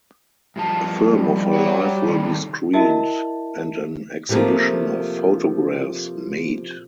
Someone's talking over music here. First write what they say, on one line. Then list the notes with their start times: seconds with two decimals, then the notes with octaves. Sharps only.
A film of her life will be screened and an exhibition of photographs made.
0.56 G2 F3 A5
1.07 G3
1.53 F#4 C#5
2.03 C3 D#3
2.73 E4 F#4 A#4 D#5 E5 A5
4.29 C3 F3 A3 A#3